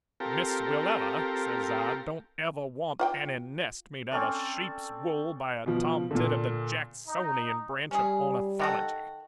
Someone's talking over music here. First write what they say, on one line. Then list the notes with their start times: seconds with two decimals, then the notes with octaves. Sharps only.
Miss Willella,' says I, 'don't ever want any nest made out of sheep's wool by a tomtit of the Jacksonian branch of ornithology.
0.20 C4 F4 G4 A4 A#4
2.99 F4 F#5 G5
4.11 C4 C#4 A4 D5
5.66 B2 F3
6.11 A#2 D3
7.08 D#4
7.91 G3 C#4 G#4
8.59 D#3 F#4 A4